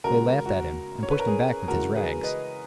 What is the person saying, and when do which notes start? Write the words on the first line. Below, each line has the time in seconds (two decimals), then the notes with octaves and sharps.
They laughed at him, and pushed him back, with his rags.
0.04 C#3 G#3 F#4 A#4
0.46 F#4
1.03 C#5
1.11 B4
1.19 A#4
1.27 G#4
1.68 C#3 E3 G#3 F#4 A#4
1.95 G#4 B4
2.23 B4 D#5